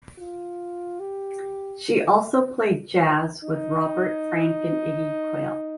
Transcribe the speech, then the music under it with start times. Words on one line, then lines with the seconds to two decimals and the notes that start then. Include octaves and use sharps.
She also played jazz with Robert Frank and Iggy Quail.
0.18 F4
1.00 G4
3.44 D#4